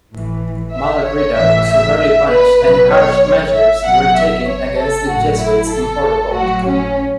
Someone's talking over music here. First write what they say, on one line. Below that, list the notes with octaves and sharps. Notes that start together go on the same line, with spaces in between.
Malagrida was severely punished and harsh measures were taken against the Jesuits in Portugal.
A2 E3
E5
C#5
A2 E3 E5
E5
E5
B4
B2 F#3 B4
C#5
C#5
E5
B2 F#3 F#5
E5
C#5
A4
A2 F#3 F#4
E4
A4
A2 F#3 F#4
C#4